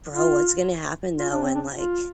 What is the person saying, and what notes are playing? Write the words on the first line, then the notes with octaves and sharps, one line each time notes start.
Bro, what's gonna happen though when, like
F4
F4
D4
C4
D4
F4